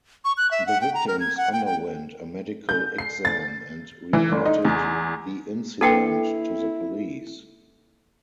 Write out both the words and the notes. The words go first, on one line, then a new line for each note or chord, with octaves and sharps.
The victims underwent a medical exam and reported the incident to the police.
C#6
F#6
E5
F#5
G5
A#5
A#4
G#6
F#5
G5
G5
G6
C7
A6
E3
G1
D#4
E2
A#3 D4 E4 A4 B4 F#5 G5